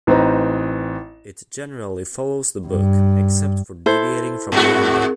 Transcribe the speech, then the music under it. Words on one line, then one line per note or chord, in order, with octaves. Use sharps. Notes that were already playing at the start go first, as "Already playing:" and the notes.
It generally follows the book, except for deviating from the ending.
A1 C4 D#4 B4 A#5
G2
E4 A4 C5
G#2 C4 F#4 G#4 A#4